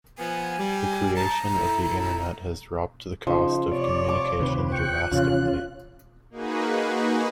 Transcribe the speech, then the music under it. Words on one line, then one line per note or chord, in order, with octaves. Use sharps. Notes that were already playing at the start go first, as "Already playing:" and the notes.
The creation of the internet has dropped the cost of communication drastically.
F3 B3 G#5
G3
A5 A#5
E4 A4
C#3 F3 D#4
C3 C#5 D5
D6
D2 C3 D#3 C4 B4
G5 C#6 F#6
D#2 C3 E3 C#4 F4
A#3 D#4 F#4 G#4 B4